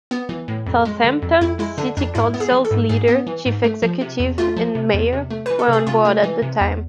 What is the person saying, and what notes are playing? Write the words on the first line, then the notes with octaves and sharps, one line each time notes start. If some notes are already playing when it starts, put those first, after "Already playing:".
Southampton City Council's leader, chief executive, and mayor were on board at the time.
B3
E3
A2
F2
G#3
D3
F2
F2 E4
G#3 E4
D3 D4
F2 D4
G#2 E4
B3
G#4
E3
A4
G#2
G#2 G#4
B3
E3
G#2
A3
F3
C3
E2
A3 F4
F3
C3
E2
C3
A3
E3 B4
A4
C3 G#4
C3 F4
A3
E3
C3
E2